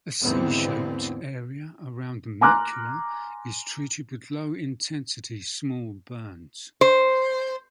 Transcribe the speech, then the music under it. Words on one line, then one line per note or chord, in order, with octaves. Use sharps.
A 'C' shaped area around the macula is treated with low intensity small burns.
D#2 G#2 D3 E3 B3 C4
G#5 A#5 C6 D6 F6 F#6
C5